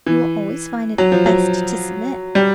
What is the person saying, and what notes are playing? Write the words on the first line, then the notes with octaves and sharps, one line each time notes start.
You will always find it best to submit.'
E3
F#3
F3
F#3
G3